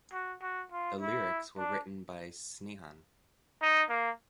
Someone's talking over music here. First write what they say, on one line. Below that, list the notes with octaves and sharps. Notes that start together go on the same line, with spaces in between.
The lyrics were written by Snehan.
F#4
F#4
F4
E4
D4
D#4
A#3